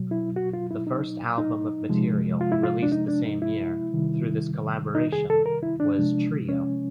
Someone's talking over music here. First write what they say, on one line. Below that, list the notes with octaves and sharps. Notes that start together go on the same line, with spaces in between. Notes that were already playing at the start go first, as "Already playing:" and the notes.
The first album of material, released the same year, through this collaboration was "Trio".
Already playing: B2 F#3
E4
F#4
F4
E4
D#4
D#4
C3 F3 G#3
F4
E4
F4
D4
D#4
D4
D#4
E4
C3 D#3 G3
D#4
G#4
A4
A#4
E4
D4
C3 F3 G#3
C#4